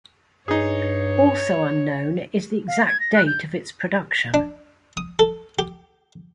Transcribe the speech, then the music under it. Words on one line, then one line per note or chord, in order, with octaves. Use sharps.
Also unknown is the exact date of its production.
G2 D#4 G#4 C#5
F5
G#6
A#6
F#6
G6
D4
D#6
A4
G4